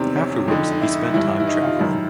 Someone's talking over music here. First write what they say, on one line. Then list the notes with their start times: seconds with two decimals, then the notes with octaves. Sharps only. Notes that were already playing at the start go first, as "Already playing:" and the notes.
Afterwards, he spent time travelling.
Already playing: E2 C3 D#3 C4
0.15 C#4
0.48 F2 D3 D#4
0.71 D#4
0.81 E4
1.14 G2 E3 E4
1.40 E4
1.47 D#4
1.63 F4
1.79 F#2 D#3 E4